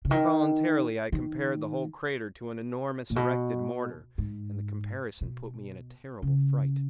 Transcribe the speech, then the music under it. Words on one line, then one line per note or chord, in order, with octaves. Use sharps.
Involuntarily I compared the whole crater to an enormous erected mortar, and the comparison put me in a terrible fright.
C#3
D#3
D#3
A#2
B2
G#2
B2
C#3